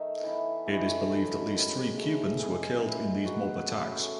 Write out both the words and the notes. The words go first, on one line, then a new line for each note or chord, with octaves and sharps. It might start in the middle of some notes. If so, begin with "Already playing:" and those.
It is believed at least three Cubans were killed in these mob attacks.
Already playing: D#3 A3 D#4 E5
E3 B3 E4
E3 A3 C#4 E4 D#5
D#3 F#3 B3 E4
D#3 G#3 D#4 B4
C#3 E3 A3
C#3 G#3 D#4 G#4
E3 B3 D#4
D#3 F#3 B3 D#4 F#4
E3 A3 C#4 E4